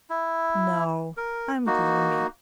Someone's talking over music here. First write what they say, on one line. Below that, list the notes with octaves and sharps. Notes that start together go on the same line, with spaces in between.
No, I'm gloomy.
E4
A#4
A#3 D#4 F#4